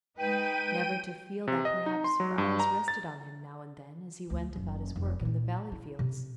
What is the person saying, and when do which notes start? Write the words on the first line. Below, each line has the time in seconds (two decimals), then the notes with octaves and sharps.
Never to feel that perhaps her eyes rested on him now and then as he went about his work in the valley fields!
0.17 G#3 D#4 B4 G5 D#7
1.48 C3
1.65 D#5
1.86 D#4
2.04 C6
2.20 F#3
2.38 G2
2.60 A#5
2.88 A6
4.30 D2 A3
4.56 F#1
4.96 F1
5.21 A#2 E4
5.72 E4
5.99 C3